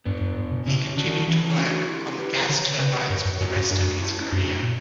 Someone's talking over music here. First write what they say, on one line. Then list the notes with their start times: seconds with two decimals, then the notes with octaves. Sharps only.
He continued to work on gas turbines for this rest of his career.
0.05 G2 B3 D4
0.21 F#2
0.36 F#2
0.51 B2
0.66 C#3 C#4 E4
0.96 D3 D4 F#4
1.27 E3 C#4 E4
1.57 D4 F#4
1.88 E4 G4
2.19 G4 B4
2.48 D3 A#4 C#5
2.79 C#3 B4 D5
3.09 G2 A#4 C#5
3.25 F#2
3.40 F#2 F#4 A#4
3.56 G2
3.70 F#2 D4 F#4
4.01 C#4 E4
4.20 E4
4.31 F#2 D4 F#4
4.62 A#2